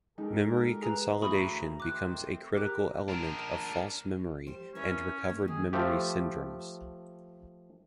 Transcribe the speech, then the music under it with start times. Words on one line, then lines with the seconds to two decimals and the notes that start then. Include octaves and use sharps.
Memory consolidation becomes a critical element of false memory and recovered memory syndromes.
0.18 G#3 D#4 G4 A4 A#4
0.82 G#4 B4 A#5
1.22 D2 E3 A#5 B5 C#6 D#6
1.80 D#3 A3 C4 D6 F#6
2.57 G4 A#4 D6 F#6
3.08 D4 A#4
4.47 G3 C5
4.75 C#4 E4 A#4 B4
5.30 A#3
5.48 D#3 G#4
5.73 F3 A3 G4